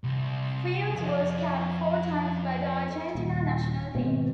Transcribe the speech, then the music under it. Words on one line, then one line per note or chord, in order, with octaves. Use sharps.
Funes was capped four times by the Argentina National Team.
C2
F2
D#1
G#1 B2 C4